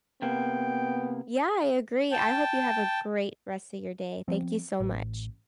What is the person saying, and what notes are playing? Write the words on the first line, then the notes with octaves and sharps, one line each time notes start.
Yeah, I agree, I hope you have a great rest of your day. Thank you so much.
C3 A#3 B3 G5
G5 A5
F3 B3 C4
A1